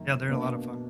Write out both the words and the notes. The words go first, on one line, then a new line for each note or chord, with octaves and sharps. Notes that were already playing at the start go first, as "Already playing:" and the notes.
Yeah, they're a lot of fun.
Already playing: F#2 D#3 A#3
B2 A#3 D4